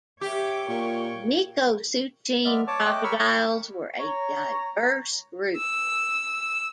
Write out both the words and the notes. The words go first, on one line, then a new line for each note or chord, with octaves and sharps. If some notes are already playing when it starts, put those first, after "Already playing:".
Mekosuchine crocodiles were a diverse group.
G4 C#5 E5 G5 D6
A#2 A#4 C#6
G#3 B3 D5 E5 F6
C#5 A5 D6
A3 D#5 G5 D6 F#6
A#4 C#5 B5 C#6 E6 F6
C#5 A#5
E6